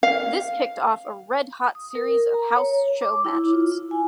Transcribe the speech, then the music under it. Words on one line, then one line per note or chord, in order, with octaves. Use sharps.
This kicked off a red hot series of house show matches.
F5
D#6
A#4
A#5
C#5
D6
E4
F4
E4
G#5